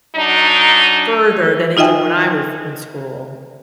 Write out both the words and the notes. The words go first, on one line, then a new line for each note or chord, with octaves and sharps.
further than they did when I was in school.
F#3 D4 D#4
D#4 F4 D#5 E5 G5 G#5